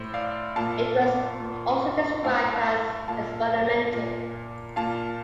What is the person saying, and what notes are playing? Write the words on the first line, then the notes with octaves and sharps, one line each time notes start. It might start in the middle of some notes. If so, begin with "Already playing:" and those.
It was also described as experimental.
Already playing: A2 C5
D5 F5
A#2 F5 A5
A#2
A2 F5 A5
F5 A5
A#2 F5 A5
A#2
A#2 F5 A5